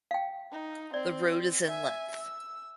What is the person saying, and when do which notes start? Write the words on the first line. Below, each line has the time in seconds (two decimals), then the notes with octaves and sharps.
The road is in length.
0.11 F5 G5
0.52 D#4
0.94 C4 D5
1.67 E5 G#5
2.16 E6